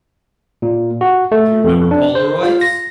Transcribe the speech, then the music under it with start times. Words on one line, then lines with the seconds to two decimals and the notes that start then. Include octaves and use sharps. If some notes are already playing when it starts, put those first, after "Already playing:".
Do you remember Polaroids?
0.62 A#2
1.01 F#4
1.32 A3
1.64 F2
1.91 D4
2.15 C5
2.43 F4
2.61 A#6